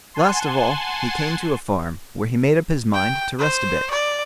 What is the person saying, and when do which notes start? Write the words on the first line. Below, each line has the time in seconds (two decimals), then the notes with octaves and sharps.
Last of all, he came to a farm, where he made up his mind to rest a bit.
0.14 F#5 G#5 A5 C6
2.94 G5
3.39 C5
3.91 D5